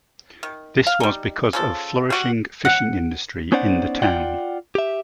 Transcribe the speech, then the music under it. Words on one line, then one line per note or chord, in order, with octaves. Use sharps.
This was because of flourishing, fishing industry in the town.
D#3
F5
G3 D#4
C#3 F3 A4
G3 F#4
F#5
B3 C#4 D#4 C5 D5 F#5
F4 D5 F#5 G5
G4 E5